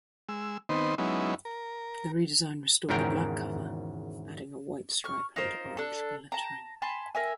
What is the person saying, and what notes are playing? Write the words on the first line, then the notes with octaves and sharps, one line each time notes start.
The redesign restored the black cover, adding a white stripe and orange lettering.
G#3 E6
D#3 B3 C4 D#4 C5
F#3 G#3 B3 C#4 D#4 E4
A#4
G#1 E2 G#2 C#3 A#4 G5
C#6 F6
D#4 F4 A#4 C5
D4 A4
A5 A#5
G#5 A5 B5 C6
A#4 E5 G#5